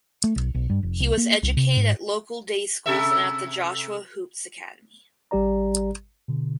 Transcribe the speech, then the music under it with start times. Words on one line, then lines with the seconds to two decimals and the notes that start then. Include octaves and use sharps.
He was educated at local day schools and at the Joshua Hoopes Academy.
0.24 A3
0.36 B1
0.54 B1
0.70 G2
0.83 F1
1.00 C2
1.17 A#3
1.43 C2
1.57 C3
1.76 G#2
2.86 C3 A4 E5
5.31 G#1 G3 G4 D5 A#5
6.28 B2 D3